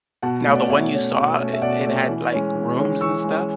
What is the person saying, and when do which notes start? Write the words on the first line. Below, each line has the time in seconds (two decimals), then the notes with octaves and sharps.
Now, the one you saw, i it had, like, rooms and stuff?
0.22 B2 F#5 A5
0.46 A3 C#4
0.54 D5 F#5
0.69 B2 C#5 E5
0.92 A3 C#4
1.16 B2
1.38 A3 C#4
1.53 E5
1.62 B2 D5 F#5
1.86 A3 C#4
2.08 E3
2.32 G#3 C#4
2.55 E3
2.79 G#3 C#4
3.01 E3 C#6 E6
3.24 G#3 C#4